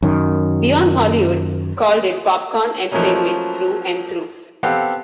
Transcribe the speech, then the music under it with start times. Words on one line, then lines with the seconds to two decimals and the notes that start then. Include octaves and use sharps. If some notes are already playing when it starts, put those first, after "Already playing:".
"Beyond Hollywood" called it "popcorn entertainment through and through".
0.02 F#2 D#3
2.92 F3 F#3 A3 A#3 C#4 D#4
4.63 B3 C4 G4 A4 F5 F#5